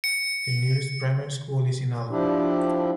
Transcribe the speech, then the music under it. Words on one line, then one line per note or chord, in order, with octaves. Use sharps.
The nearest primary school is in Alpha.
C#7
F3 D4 E4 G4